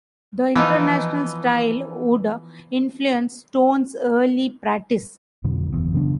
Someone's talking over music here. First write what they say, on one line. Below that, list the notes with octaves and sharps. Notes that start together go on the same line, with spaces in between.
The International Style would influence Stone's early practice.
E3 F3 B3 D#4
F2 B2 D3 F#3
F#1 E2
C#3 F#3 B3 D4